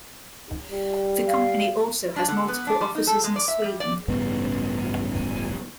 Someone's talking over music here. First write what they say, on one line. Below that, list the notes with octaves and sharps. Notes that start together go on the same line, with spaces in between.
The company also has multiple offices in Sweden.
G3
F5
D4
D3
B3
D4
G3
D#4
A4
G#3
D5
E5
G3
D5
A1 G2 C#3 B3